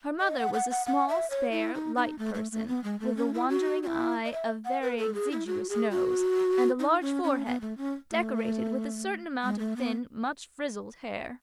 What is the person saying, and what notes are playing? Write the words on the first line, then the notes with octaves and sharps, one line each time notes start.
Her mother was a small, spare, light person, with a wandering eye, a very exiguous nose, and a large forehead, decorated with a certain amount of thin, much frizzled hair.
D#5
F#5
F#5
F#5
F#5
E5
C#5
E4
D#4
D#4
A3
A3
A3
B3
G#3
A3
C#4
E4
F#4
F#4
E4
D#5
E5
F#5
B4
A4
G#4
E4
F#4
G#4
F#4
D#4
C#4
C#4
B3
A3
C#4
A3
G#3
A3
B3